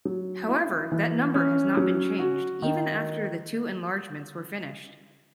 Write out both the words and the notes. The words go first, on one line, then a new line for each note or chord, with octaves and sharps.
However, that number has not been changed even after the two enlargements were finished.
F#3
E4
E3
C#4
F#3
F#4
D#3